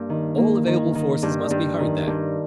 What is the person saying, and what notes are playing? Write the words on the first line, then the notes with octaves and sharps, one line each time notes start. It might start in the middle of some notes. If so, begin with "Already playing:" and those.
All available forces must be hurried there....
Already playing: G2 A#3
D#3
A#3
D#3
D#3
G2
G2
D#3
G2